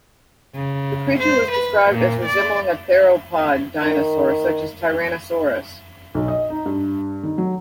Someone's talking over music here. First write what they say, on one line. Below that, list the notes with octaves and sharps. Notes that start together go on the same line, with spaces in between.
This creature was described as resembling a theropod dinosaur such as Tyrannosaurus.
C#3
C5
B4
A#2
D5
D#3
B1
D#5
D#4
G2
D#3
F#3